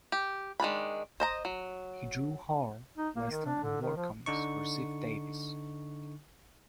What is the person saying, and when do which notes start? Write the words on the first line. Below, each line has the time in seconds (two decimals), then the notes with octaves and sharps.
He drew horror, Western and war comics for Ziff-Davis.
0.12 G4
0.60 D#3 G#3 D4 B5
1.20 C5 D#5 A#5
1.45 F#3
2.97 D#4
3.15 A#3
3.31 D#3
3.45 D4
3.63 D3
3.81 D#3
3.96 F3
4.26 D3 D#4 C#6